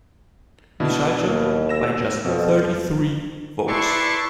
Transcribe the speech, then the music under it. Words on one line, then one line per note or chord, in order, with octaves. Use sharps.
Michalchuk by just thirty-three votes.
B2 D4 E4
D#2
E6 A#6 E7
F2 B2 F3
E4 B4 D5 A5 C6 C#6